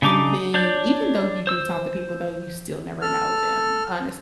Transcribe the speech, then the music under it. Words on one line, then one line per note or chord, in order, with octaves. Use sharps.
and then even though you do talk to people, though, you still never know them, honestly.
C#3 D4 D#4 D6
D4 C#5 D5 G6
C5 E6
A4 F6